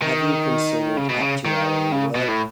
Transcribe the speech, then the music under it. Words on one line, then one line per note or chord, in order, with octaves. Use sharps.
Have you considered actuarial work?
D#3
C#3
B2
C#3
D#3
C#3
B2
A2